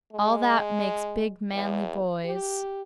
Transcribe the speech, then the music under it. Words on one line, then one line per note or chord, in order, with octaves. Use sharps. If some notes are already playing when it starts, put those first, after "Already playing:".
All that makes big, manly boys.
G#3
E2
G4